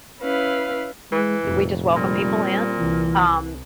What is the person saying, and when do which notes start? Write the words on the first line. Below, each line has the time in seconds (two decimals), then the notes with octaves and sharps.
we just welcome people in. Um,
0.22 C#4 E4 B4 F5
1.12 E3 G#3
1.43 F1 F2 A#2
1.96 A#2 G3 C4
2.79 C2 E3